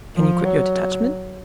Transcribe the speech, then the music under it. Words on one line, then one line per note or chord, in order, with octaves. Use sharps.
"Can you quit your detachment?"
F3
F#3